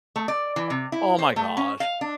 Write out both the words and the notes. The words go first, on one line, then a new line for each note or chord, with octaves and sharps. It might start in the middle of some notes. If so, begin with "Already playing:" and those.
Oh my gosh.
A3
D5
E3
C3
E4
C5
A3
C#4
F5
D4